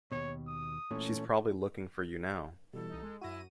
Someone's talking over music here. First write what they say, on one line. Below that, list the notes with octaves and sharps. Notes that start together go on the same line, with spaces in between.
She's probably looking for you now.
D#2 B2 C#5
D#6
A#2 E3 A3 C#4
B2 E3 G3 A4
C2 D#4
G#3
F#2 E4 F#4 A#6 D#7